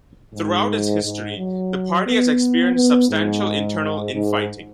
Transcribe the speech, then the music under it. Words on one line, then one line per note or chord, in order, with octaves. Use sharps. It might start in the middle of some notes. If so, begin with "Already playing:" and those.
Throughout its history, the party has experienced substantial internal infighting.
G#2
G#2
F#3
B3
B3
G#2
G#2